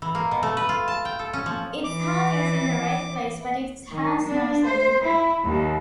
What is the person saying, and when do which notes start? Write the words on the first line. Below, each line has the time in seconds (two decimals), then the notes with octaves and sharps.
Its heart is in the right place, but it has no soul.
0.02 E3
0.15 A#3
0.31 B2
0.43 A3
0.57 B4
0.69 F4
0.88 A5
1.05 G5
1.19 A4
1.33 C#4
1.46 F3
1.84 E3 D6
3.91 D#3
4.26 D4
4.64 C5
5.03 E4
5.44 D#2